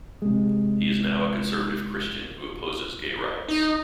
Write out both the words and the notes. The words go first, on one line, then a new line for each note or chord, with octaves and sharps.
He is now a conservative Christian who opposes gay rights.
C3 G#3
D#4